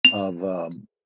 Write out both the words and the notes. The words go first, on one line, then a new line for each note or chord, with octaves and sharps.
of, um,
F7